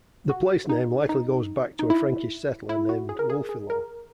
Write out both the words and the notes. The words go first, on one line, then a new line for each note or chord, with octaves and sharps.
The placename likely goes back to a Frankish settler named Wulfilo.
F#4
D#4
D#4
D#4
E4
E4
F#4
G#4
A#4
G#4
G#4
A#4